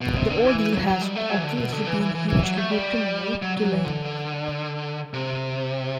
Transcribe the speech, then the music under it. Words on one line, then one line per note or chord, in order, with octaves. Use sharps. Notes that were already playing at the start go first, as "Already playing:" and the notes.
The ordeal has obviously been hugely detrimental to Lane.
B2
C3
D3
E3
E3
F#3
F#3
G3
A3
F#3
E3
D3
B2
D3
E3
E3
E3
E3
F#3
A3
G3
F#3
F#3
E3
D3
C3